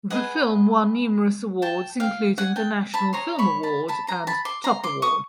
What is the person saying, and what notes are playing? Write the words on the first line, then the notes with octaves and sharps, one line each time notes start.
The film won numerous awards including the National Film Award and Top Award.
G#4 B4 D#5 F#5 G#5
G5 A5
F5 G5
F#5 G#5
G5 A5
A5 B5
G#4 C#5 A#5 C6
B5 C#6
A5 B5
A5 B5
A#5 C6
A5 B5
C6 D6
A#5 C6
C6 D6
C#6 D#6